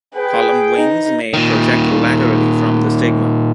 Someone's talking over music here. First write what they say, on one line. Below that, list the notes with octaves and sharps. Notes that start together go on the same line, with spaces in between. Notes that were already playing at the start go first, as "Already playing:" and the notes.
Column wings may project laterally from the stigma.
G#4 B4 G5
D#4
A#2 D#3